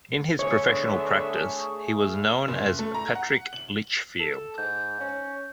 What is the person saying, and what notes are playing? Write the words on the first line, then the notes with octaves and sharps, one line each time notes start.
In his professional practice he was known as Patrick Lichfield.
D3 A3 B3 G#4 C#5 E5 C#6
F#1
A3
A#5
F#5
F#7
A4
G#2 G6
C#4